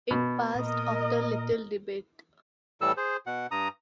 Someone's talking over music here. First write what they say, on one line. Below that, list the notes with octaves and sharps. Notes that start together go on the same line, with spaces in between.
It passed after little debate.
B2
A#2 A#4 D#5
A2 E3 G3 A4 A5 E6
G#4 C5
B2 F#5
G2 A#5 D#6